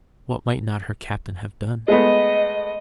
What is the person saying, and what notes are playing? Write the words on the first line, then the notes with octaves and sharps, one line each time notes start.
What might not her Captain have done?
G#3 A3 B3 D#5